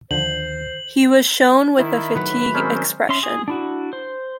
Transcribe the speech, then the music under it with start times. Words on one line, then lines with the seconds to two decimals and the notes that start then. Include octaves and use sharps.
He was shown with a fatigued expression.
0.11 D#2 D3 F3 C5 F#7
1.78 D#3 E4
2.16 A2 D#3 F#3 F#4 B4 B5
2.55 G#3 C4 C#4 A#4 C5
3.09 C#4 E5 C6
3.23 G#4
3.48 D4 E4 F#4
3.93 C5